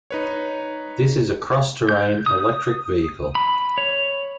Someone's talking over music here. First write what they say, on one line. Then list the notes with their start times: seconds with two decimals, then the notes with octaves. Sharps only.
This is a cross-terrain electric vehicle.
0.11 D#4 B4 C#5
1.89 G6
2.26 D#6
3.35 B5
3.78 C#5